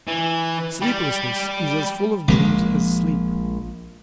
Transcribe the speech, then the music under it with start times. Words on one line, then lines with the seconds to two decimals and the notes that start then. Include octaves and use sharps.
Sleeplessness is as full of dreams as sleep.
0.07 E3
0.82 G3
2.28 A#1 F3 G#3 A#3